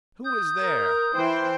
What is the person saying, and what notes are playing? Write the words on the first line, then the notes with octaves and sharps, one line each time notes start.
Who is there?
D#6 G6
A#4
E3 C5 G5